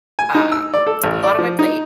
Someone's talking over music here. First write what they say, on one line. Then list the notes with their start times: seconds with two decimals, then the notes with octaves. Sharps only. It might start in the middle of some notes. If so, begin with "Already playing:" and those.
um, a lot on my plate.
0.19 G#5
0.35 D#4
0.52 E6
0.74 D5
0.87 A4
1.04 A1
1.23 D5
1.39 F3
1.59 D#4